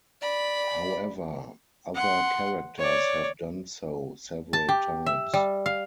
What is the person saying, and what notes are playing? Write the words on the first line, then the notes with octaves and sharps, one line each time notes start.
However, other characters have done so several times.
D5 B5
F#5 C6
C#5 D5
A5
G4
E5
G3
F5